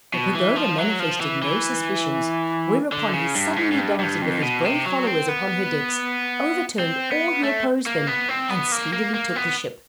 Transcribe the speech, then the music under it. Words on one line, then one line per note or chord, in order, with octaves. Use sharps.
The Pagoda manifested no suspicions, whereupon he suddenly darted with his brave followers upon her decks, overturned all who opposed them, and speedily took the ship.
B2
E3
F3
F#3
F3
E3
E3
D3
C#3
G2
G#2
G#2
G2
G2
F2
B2
C3
F#3
C4
B3
C4
B3
A3
A#3
B3
C4
B3
A#3
A#3
A#3
B3